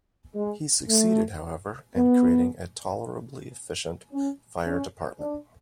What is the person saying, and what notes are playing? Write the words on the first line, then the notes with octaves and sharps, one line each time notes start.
He succeeded, however, in creating a tolerably efficient fire department.
G#3
A3
B3
C#4
C#4
D4